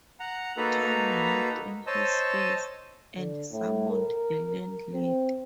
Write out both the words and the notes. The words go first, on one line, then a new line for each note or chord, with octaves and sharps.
Tom laughed in his face; and summoned the landlady.
F#5 A#5
A#3 D#4 F#4 A4 B4 A#5
C5 C#5 D#5 A5 E6
D3
A2
A#4
C4